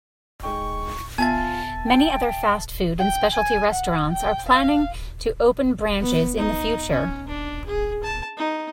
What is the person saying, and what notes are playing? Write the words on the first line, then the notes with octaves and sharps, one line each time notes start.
Many other fastfood and specialty restaurants are planning to open branches in the future.
G#3 D#4 G5 C#6
B3 F4 E5 G#5 A5 A6
G5
G5
G#5
F#5
G5
F5
B3
D#4
C#4
D4
G#4
A5
D#4